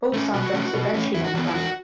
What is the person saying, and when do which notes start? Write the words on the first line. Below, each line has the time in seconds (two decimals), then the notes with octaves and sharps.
Both soundtracks eventually went platinum.
0.14 A3 C#4
0.34 B2 F#4
0.53 A3 C#4
0.74 B2
0.94 A3 C#4
1.15 E2 E4
1.24 F#4
1.34 E3 F#4
1.38 B3
1.44 E4
1.54 E2 F#4